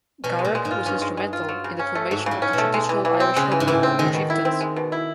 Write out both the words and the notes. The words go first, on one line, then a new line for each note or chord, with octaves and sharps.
Garech was instrumental in the formation of the traditional Irish folk group, The Chieftains.
B2 C#4
G#3
A#2
G#3
G#2
F4
G2 C#4
G#3
G#3
F4
F#3
C#3
C#4
A3
G#2 F#3
C#3
A2
C#4
B2 A3
G#3
E3
E3
C4
C#3 G#3
E3
G#2
A2 E3
C4
D#3 G#3
B2
E4
C4
G#3
B2
E4